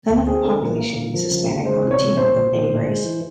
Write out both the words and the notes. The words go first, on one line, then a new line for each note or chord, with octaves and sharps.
None of the population is Hispanic or Latino of any race.
D2
C4 G#4
D3 A4
A#2 A#4
A#3
A#2
F3
C#3
C#3
G#3 C5
C3
C#5
C3
A#2 C5
A#2
A#2
A2
G#3
E3